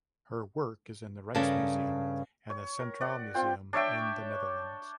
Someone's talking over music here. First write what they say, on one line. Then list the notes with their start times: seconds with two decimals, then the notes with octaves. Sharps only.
Her work is in the Rijksmuseum and the Centraal Museum in the Netherlands.
1.35 G2 C#3 A4 A#4
2.50 C#5
2.80 A#4
3.01 D5 F#5
3.34 C4 F4 G5
3.73 D4 C#5 E5 G5